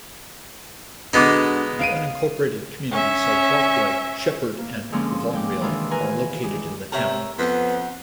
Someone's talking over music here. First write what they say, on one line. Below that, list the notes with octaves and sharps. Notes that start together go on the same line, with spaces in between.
The unincorporated communities of Brockway, Sheppard, and Vaudreuil are located in the town.
D3 G#3 B3 D#4 F#4 D6
F5 D7 D#7
C#4 E5
A#3
D3 F3 G#3 A#3 C4 C#4
G#3 G5 D6
C3 D#3 E3 G#3 D4 F4
A#4 B4 G#5 A#5
G#3 G4
C3 A#4 C#5 E5
F2 B3 C5 F#5